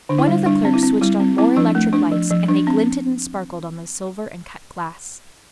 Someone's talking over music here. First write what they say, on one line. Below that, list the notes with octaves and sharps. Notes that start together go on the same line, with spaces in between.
One of the clerks switched on more electric lights, and they glinted and sparkled on the silver and cut glass.
D3 D4
E4
G3
G3 D4
C4
E4
C4
G3 E4
C4
C4 E4
F3 D4
A3
D4
F3
F3
D4
C4